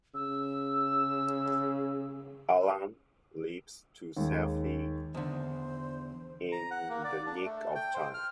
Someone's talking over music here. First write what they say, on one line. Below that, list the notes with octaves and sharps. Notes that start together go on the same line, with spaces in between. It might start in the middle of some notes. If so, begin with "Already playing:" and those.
Alan leaps to safety in the nick of time.
C#3 E6
D#2 G#3
E2 D3 C5
A#5
F#5
A#3
D5
D4
A3
G5
C5
F6